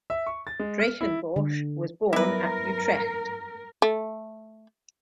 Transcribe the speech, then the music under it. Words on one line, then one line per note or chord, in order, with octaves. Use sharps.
Drakenborch was born at Utrecht.
E5
C#6
A6
G#3
F6
E4
D3
F#3 G3 B3 E4 A#4 B4
A3